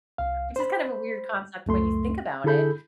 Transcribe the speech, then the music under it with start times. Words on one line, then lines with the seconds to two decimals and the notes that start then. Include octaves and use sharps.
which is kind of a weird concept when you think about it.
0.18 C2 F5
0.56 C5 B5
1.66 C#2 F#2 A3 C6
2.44 D3 E4 G#4 A4 B5 G6